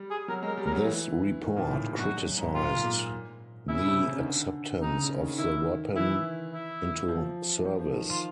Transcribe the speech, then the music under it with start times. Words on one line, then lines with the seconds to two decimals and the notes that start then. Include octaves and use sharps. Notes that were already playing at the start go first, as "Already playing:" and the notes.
This report criticised the acceptance of the weapon into service.
Already playing: G3
0.10 G#4
0.28 F#3 A#4
0.43 G#3
0.47 A#4
0.57 G3
0.66 A#4
0.72 F#3
0.85 E3
1.42 D#3
1.57 A#2
1.71 A2
1.85 G2
1.99 F#2 F#4
2.17 F#2
2.37 G#2
2.55 A#2 F4
2.84 A#2
3.68 C#3 E4
3.87 C3
4.07 C#3
4.19 D#3
4.25 D3
4.81 C#3 D#4
5.01 C#3
5.20 D#3
5.38 D#3 E4
5.95 E3 E4
6.52 E4
7.08 F3
7.57 E3
7.65 F3
7.93 D#3
8.10 F4